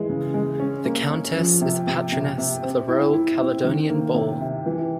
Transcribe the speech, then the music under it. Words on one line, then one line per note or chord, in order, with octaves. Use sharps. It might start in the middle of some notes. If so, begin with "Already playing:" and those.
The Countess is a Patroness of the Royal Caledonian Ball.
Already playing: E3 G#3
C#3
G#3
C#4
A#3
C#4
F3
C3
C3
C3
C3
C4
E4
E4
C4
D#3
A#3
C3
C3
E3